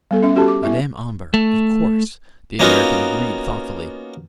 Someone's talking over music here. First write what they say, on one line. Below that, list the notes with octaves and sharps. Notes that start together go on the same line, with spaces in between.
"Madame Omber--of course!" the American agreed thoughtfully.
G3 B3 A4
C#4 E5
C#4 F#4 G4 A4 A5
D6
B3 E4 E5
A3
A#3 B3 C#4 D#4 F4 F#4